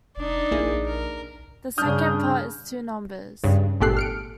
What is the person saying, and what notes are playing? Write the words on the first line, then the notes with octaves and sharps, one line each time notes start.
The second part is two numbers.
F1 D4 D#4
A#1 A#3 E4 G#4
A#4
G2 C#3 D4 D#6 F6 G6
G2 C#3
G#1 A#2 G4 A4 F#6 C7
F6 C#7 D7